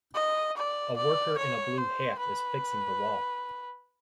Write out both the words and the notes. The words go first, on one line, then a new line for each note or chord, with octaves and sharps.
A worker in a blue hat is fixing the wall.
D#5
D5
D5
C#5
C5
B4